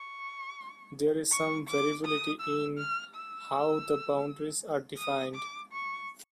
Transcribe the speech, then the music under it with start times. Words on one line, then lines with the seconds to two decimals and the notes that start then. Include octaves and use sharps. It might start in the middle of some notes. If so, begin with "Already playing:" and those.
There is some variability in how the boundaries are defined.
Already playing: C#6
1.31 C#6
1.68 D6
2.05 D#6
2.41 E6
2.78 F6
3.15 E6
4.98 D#6
5.35 D6
5.72 C#6